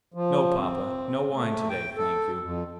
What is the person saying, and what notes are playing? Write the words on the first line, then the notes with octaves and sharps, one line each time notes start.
No, papa--no wine to-day, thank you.
F3
C4
A3
G5
A4
F2